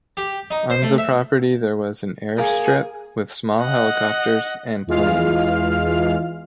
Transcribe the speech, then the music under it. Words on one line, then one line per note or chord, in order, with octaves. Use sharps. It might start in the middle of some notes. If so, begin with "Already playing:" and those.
On the property there was an airstrip with small helicopters and planes.
G4
D#4
C5
A3
E5
A#3 G#4
D#5 F#5
E2 E3 G#3 F4 F5 F6